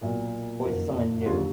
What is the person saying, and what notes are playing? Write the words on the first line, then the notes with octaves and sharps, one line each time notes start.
Or is it someone new?
B1 A#2 F#3 F#4 A#4
F#1 F2 D#3 F#4 A#4
F#4
F1 D#2 D3 F#3 F4 G#4